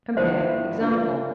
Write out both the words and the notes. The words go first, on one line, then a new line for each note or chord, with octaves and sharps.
Compare EXAMPLE.
G1 G2 F3 B3 E4 C5 E5
D3 A3 D4 F4 B4